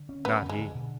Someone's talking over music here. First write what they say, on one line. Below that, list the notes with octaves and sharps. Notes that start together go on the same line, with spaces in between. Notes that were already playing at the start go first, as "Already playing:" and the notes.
Not he.
Already playing: D3
C#4
A3 B3
D3
G#3
D3
B2